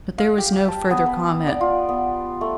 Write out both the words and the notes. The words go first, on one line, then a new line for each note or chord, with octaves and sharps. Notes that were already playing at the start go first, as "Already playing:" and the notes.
But there was no further comment.
F5
G4
G4
A5
B3
B4
D5
F4
B3
A3